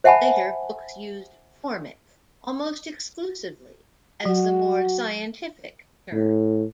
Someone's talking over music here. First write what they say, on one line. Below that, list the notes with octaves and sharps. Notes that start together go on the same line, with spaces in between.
Later books used 'Formic' almost exclusively, as the more 'scientific' term.
C5 E5 F#5 G#5 A5 B5
F#3 F#4
A2